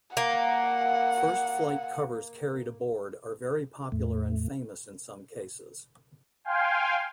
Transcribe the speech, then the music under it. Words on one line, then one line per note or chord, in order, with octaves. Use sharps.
First flight covers carried aboard are very popular and famous in some cases.
A#3 F#5
E2 A2 A3
F5 G5 G#5 C6